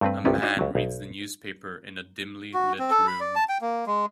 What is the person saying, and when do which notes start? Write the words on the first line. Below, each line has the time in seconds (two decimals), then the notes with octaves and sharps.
A man reads the newspaper in a dimly lit room.
0.01 G2 A3 C4 B4
0.25 G1 C2 C3 B3 C#4 B4
0.42 D4 D#4 F#4 C#5 E5
0.59 C#2 F#3
0.75 B1
2.54 F#4
2.79 C4
2.90 A4
3.07 B5
3.20 D5
3.36 A5
3.49 G5
3.61 A#3
3.86 G#3